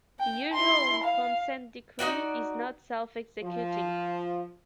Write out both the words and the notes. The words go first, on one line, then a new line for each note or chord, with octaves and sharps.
The usual consent decree is not self-executing.
G5
E4 C6
F5
D#4 F4 F#4 D5
F3